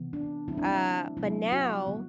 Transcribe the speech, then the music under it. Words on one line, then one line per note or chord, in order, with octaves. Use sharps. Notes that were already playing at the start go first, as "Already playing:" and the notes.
Uh, but now
Already playing: C3 E3 B3
D4
D3 F#3 A3 C4 E4
D4
E4
C3 F#3 B3 E4
F#4
D3 G3 B3